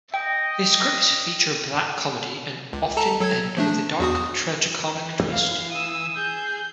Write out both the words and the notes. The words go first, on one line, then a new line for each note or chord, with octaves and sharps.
His scripts feature black comedy and often end with a dark tragicomic twist.
D#5 G5
C#2
A4 A5 A#5
F#3 A4 G#6
F3 A3 D4
E2 F#4 D#6
E3
F5
D#6 E6
G#4 G6